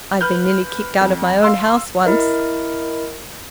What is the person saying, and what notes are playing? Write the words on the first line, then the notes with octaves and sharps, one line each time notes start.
I've been nearly kicked out of my own house once.
B4 F6 G6
F2
F5 C6 E6
E4 A#4 D#5